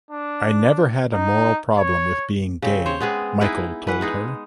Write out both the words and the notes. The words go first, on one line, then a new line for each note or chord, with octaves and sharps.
"I never had a moral problem with being gay", Michael told her.
D4
D#4
C#5
C#3 C4
C5 C#5
G#3 B3 C4 G#4
D#4 E4 G#4 B4
E3 B4 F#5
G#3 D#4 G#4